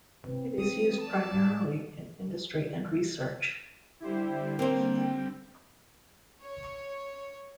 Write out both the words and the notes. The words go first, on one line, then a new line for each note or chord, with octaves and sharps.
It is used primarily in industry and research.
C3 C4 E4 B4
E3 D#6
D5 A5
A2 G#4
D3 G3 E4 G4 C5
A#3 C4 C5 G5
C#5